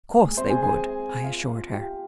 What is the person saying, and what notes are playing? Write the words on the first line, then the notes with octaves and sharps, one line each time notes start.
"Of course they would," I assured her.
G#3 G#4
C4 C5
G#4 G#5
G#4 G#5
F4 F5
F4 F5
G4 G5